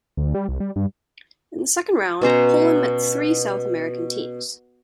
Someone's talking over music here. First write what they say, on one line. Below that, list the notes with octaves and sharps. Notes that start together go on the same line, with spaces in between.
In the second round, Poland met three South American teams.
D2
G3
C2
G3
G2
B2 C#4 C5 A#5